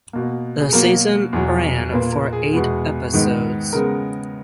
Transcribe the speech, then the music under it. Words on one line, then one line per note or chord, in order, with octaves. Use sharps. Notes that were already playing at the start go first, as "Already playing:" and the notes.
The season ran for eight episodes.
B2 A#3
G#4
B2 F#3 A#3 A#4
E2 B2 F#3
A#2 A#3 B4
A#4
G#4
E2 B2 G#3 B3
G#2 D#3 G#3 B3
C#3 G#3 B3 A#4